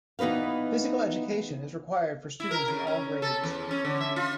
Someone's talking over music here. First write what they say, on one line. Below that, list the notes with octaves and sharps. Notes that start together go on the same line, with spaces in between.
Physical education is required for students in all grades.
E3 B3 D#4 B4 F5
E4
A#4
C#3
C#4
A4
E2
C#4
D3
E5
F4